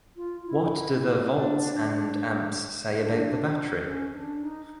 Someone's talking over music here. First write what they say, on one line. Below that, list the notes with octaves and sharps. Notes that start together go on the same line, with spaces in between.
What do the volts and amps say about the battery?
F4
E4
D4
D4
C#4
D4
D#4